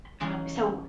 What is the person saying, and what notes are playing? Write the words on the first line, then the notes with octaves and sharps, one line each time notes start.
um so,
C#3 E3 C#4 D#4 G#4